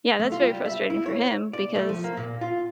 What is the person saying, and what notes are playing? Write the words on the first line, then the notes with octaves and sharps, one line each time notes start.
yeah, that's very frustrating for him because
A3
F4
G3
E5
E4
C#5
D5
A3
F3
A#3
A#2
F4